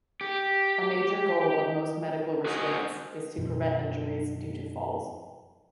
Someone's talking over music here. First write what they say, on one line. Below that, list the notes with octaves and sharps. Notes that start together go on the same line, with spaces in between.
A major goal of most medical restraints is to prevent injuries due to falls.
G4
F#4 G#4 C5 D#5
F#2 B2 F3 F#3